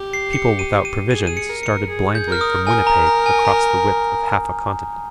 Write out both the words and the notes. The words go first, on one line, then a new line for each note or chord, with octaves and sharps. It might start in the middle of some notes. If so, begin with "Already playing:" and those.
People without provisions started blindly from Winnipeg across the width of half a continent.
Already playing: G4
C7
C#7
D#7
D#7
G#4 D#7
D#7
C#7
A#4
C#7
G#4
G6
A#4 F6
D#6
A#4 G#5
A#5
A#5
G#5
A#5